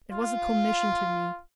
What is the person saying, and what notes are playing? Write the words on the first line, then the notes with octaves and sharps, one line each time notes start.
It was a commission to me!
F4